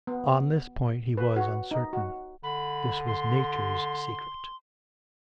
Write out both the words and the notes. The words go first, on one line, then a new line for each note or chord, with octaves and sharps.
On this point he was uncertain, this was nature's secret.
B3
B4
F#4
D#4
F#4
D3 B5
C6